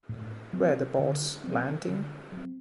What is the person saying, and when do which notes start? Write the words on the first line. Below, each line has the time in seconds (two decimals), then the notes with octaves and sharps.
Were the boats landing?
0.09 A2
0.53 F#3 C4
0.99 D3
1.44 F#3 C4
1.88 D3
2.32 F#3
2.37 C4